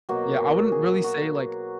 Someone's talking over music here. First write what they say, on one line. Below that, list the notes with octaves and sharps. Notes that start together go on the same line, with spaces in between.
Yeah, I wouldn't really say, like,
B2 F#3 A#3 F#4
G#4
F#4